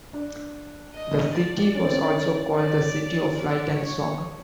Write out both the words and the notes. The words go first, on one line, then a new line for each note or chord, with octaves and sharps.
The city was also called "The City of Light and Song".
D4
D#5
D5
C#4
C4
C#4
D5
D5
C#5